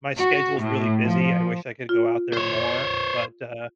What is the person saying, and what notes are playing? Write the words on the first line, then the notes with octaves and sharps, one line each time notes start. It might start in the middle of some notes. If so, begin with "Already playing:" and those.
my schedule's really busy, I wish I could go out there more, but, uh,
F#4
A2
F3
F4
C5 C#5